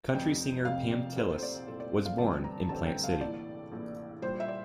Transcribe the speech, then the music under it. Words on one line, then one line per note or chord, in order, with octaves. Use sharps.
Country singer Pam Tillis was born in Plant City.
F1 F2 C3 G5
F1 F2 C3 F5
D5
C2 A#2 A3 C4 C5
C5
D5
C2 A#2 A3 C4 C5
D5
F5
A1 G2 D3 G3 C4 A5
A#5
A1 G2 D3 G3 C4 A5
G5
F5
A#1 A2 E3 D5
A#1 A2 E3
A#1 A#2 G3 C5
E5
D5